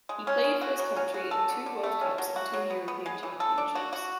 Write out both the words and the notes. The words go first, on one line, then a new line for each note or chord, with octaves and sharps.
He played for his country in two World Cups and two European Championships.
G#3
C#4
G#3
F#4
F#3
C#4
F#4
A4
D3
D3
A3
C#4
F#3
F#4
F#3
B3
B3
G#3
E3
A4
D4
F#4
F#4